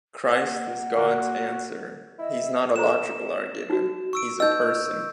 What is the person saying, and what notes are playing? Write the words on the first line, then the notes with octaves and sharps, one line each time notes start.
Christ is God’s answer. He’s not a logical argument, he’s a person.
A#3 F#5
F#4 A#4
E4 D#5 E6
A4 C5 A#5 E7
D#4 F#4
C#6 E6 D7
D#4 B4 D#5 E6 G6